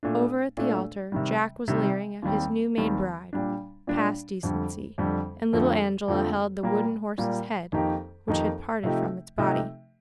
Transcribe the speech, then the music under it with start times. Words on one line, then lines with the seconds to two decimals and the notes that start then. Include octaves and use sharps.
Over at the altar Jack was leering at his new-made bride, past decency; and little Angela held the wooden horse's head, which had parted from its body.
0.03 A#2 A3 D4
0.57 A#2 A3 D4
1.12 C3 D#3 G3
1.68 C3 D#3 G3
2.22 D#2 D#3 G3 C4
2.78 D#2 D#3 G3 C4
3.33 A#2 G3 D4
3.87 A#2 G3 D4
4.43 F2 D3 G3
4.98 F2 D3 G3
5.53 F2 D3 F3 A3 C4
6.08 F2 D3 F3 A3 C4
6.63 A#2 G3 A#3
7.18 A#2 G3 A#3
7.72 F2 D#3 A#3 D#4 G4
8.28 F2 D#3 A#3 D#4 G4
8.83 C3 F3 A3 D#4 G4
9.38 C3 F3 A3 D#4 G4